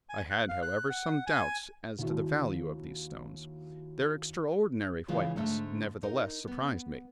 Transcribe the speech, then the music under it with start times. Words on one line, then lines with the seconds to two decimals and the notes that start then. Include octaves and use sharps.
I had, however, some doubt as to the value of these stones; their extraordinary whiteness, nevertheless surprised me.
0.09 G#5
0.30 F#6
0.49 F5
0.62 F#6
0.90 F#5
1.26 G#5
1.99 D#2 E4 F#4
5.08 C#3 E3 G#3 F4
5.36 G#2 D3 A3 E5
6.03 D#4 A#4
6.47 B3